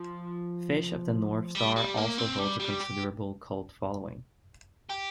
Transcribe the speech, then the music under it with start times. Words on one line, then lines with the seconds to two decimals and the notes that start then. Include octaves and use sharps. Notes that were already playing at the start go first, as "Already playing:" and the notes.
"Fist of the North Star" also holds a considerable cult following.
Already playing: F3
1.55 G3
1.76 G3
1.97 A#3
2.18 C4
2.39 G3
2.60 G3
2.81 G4
4.89 G4